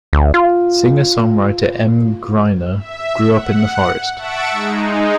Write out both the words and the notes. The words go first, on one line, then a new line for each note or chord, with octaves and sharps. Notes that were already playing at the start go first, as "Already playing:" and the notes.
Singer-songwriter Emm Gryner grew up in Forest.
D2
F4
E5
F#5
E5 F#5 A5 C#6 E6 D7
G#3 D#4